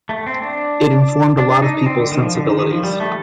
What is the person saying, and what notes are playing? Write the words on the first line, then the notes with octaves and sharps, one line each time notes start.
It informed a lot of people's sensibilities.
A3
C4
D4
D4
D4
D#4
D#4
C4
D3
D#3
F3
D3
D#3
D#3
F3
G3
A3